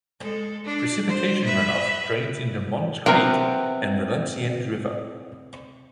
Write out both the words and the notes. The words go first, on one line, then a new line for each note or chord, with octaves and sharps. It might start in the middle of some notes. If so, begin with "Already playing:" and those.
Precipitation runoff drains into Mons Creek and Valenciennes River.
G#3 A4
D4
C5
B4 E5
C3 B3 A#4 G5